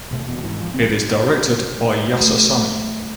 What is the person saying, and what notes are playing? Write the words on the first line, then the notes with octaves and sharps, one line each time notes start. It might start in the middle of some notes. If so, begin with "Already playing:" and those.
It is directed by Yasser Sami.
E1 C3 A3
F1 E2 B2
G#2 E3
F3
A#1 G2 D3 C4
A3